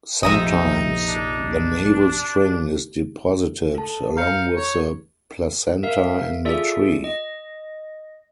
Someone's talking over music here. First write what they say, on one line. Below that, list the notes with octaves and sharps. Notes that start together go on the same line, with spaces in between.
Sometimes the navel-string is deposited along with the placenta in the tree.
A#1 F2 C3 D#4 E5 A#5 D#6
D4
A4 A5
F5 A#5 G6 C#7
C#5
A#4 E5 F5
F4 G#4 A4 D5 E5
D#5